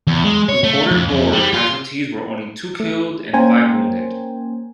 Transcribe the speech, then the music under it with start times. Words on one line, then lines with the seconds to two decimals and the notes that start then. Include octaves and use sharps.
Reported Boer casualties were only two killed and five wounded.
0.07 E2
0.24 G#3
0.49 C#5
0.64 A3
0.91 F2
1.08 F2
1.32 G3
1.53 F4
2.80 A3
3.33 A#3 C#4 A#4 C5 G5 G#5